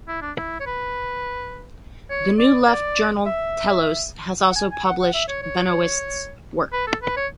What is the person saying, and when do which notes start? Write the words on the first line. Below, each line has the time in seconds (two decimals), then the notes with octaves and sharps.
The New Left journal "Telos" has also published Benoist's work.
0.08 E4
0.22 D4
0.37 E4
0.60 C#5
0.66 B4
2.10 C#5
2.39 D5
2.68 D5
3.26 E5
4.41 F#5
4.56 G#5
4.71 G#5
4.85 F#5
5.00 F#5
5.14 E5
5.28 C#5
5.42 C#5
6.73 B4
6.87 A4
7.02 B4
7.16 C#5